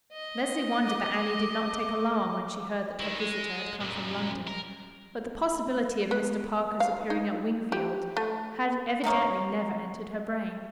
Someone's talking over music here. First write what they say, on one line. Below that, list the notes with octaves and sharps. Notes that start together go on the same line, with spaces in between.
Leslie wondered that Annie did not take alarm when she heard that her visitor had come from London; but the possibility of Mr. Parker's appearing at Wingfield had evidently never entered her brain.
D#5
D6
D#3 E4
G#3
F#2 A#2
A#4
B3
F5
D#4
G4
A3
C3 D#3 A#3 C#5